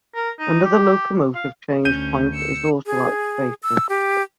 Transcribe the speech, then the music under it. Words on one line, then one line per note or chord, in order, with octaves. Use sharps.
Another locomotive change point is also at Station.
A#4
D#4
G4
F5
D2 C#4 G6 D#7
E6 C#7
G#4
E6
G4